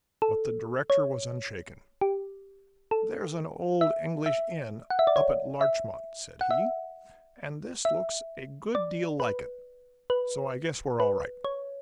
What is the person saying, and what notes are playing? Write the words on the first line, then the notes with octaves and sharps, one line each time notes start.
But the director was unshaken. "There's an old English inn up at Larchmont," said he, "and this looks a good deal like it, so I guess we're all right."
A4
C#5
G4
A4
E5
E5
F#5
E5
D5
C#5
E5
F#5
E5
E5
D5
B4
B4
B4
C#5